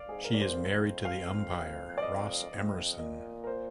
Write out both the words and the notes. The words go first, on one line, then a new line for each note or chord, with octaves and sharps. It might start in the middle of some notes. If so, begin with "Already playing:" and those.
She is married to the umpire Ross Emerson.
Already playing: D5 F5
G#2 G#4
A#4
D5
C5
F2
F5
D5
D#5
F2
A#2 D#5
A#4
C5